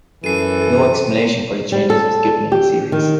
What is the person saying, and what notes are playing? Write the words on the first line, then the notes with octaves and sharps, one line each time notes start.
No explanation for the changes was given in the series.
F#2 E3 A4 C7 D#7
G3
A4
G4
D#3